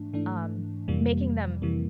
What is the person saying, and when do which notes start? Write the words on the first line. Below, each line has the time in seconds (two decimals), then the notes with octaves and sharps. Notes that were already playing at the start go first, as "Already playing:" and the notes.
um, making them
Already playing: G#2 E3 A3 D4
0.14 G#2 E3 A3 D4
0.88 F2 C3 E3 G3 A#3
1.62 F2 C3 E3 G3 A#3